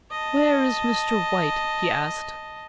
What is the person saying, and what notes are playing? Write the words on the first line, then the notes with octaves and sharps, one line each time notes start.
"Where is Mr. White?" he asked.
D#5 A5